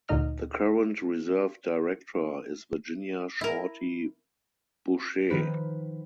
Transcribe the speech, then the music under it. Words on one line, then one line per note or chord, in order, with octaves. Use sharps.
The current reserve director is Virginia "Shorty" Boucher.
D2 A#2 D3 D#4 D#5 F6
E4 A#4
D#3 F3 B4 C5